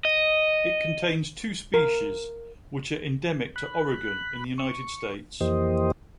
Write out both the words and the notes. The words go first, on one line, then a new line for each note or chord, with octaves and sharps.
It contains two species, which are endemic to Oregon in the United States.
D#5
A#4
B5 F#6
C#6
F2 E3 A#3 G4 C5 D#5